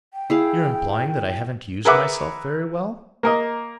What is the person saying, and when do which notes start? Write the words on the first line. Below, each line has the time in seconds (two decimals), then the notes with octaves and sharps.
"You're implying that I haven't used myself very well?"
0.14 G5
0.30 E4 G#4 F5
1.85 G#4 A#4 B4 E5 F#5 D6
3.23 A#3 A#4 D#5